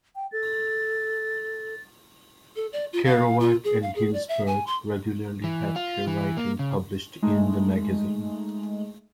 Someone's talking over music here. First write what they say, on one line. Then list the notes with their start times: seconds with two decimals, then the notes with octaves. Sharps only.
Kerouac and Ginsberg regularly had their writing published in the magazine.
0.16 G5
0.32 A4 A6
2.56 A4
2.73 D5
2.93 F4
3.05 F5
3.40 F4
3.64 G#4
3.82 F5
3.96 G#4
4.13 D5
4.28 E5
4.47 G#5
4.67 C6
5.44 E3
5.76 F4
6.07 E3
6.37 A#3
6.59 C#3
7.22 G#3 A3 D#4